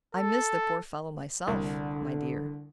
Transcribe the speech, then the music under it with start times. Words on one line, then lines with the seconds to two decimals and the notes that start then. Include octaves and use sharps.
I miss the poor fellow myself, my dear.
0.15 A4
1.47 C2 D3